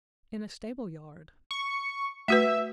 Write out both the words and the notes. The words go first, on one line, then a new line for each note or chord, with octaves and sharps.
"In a stable-yard."
C#6
A3 F#4 B4 E5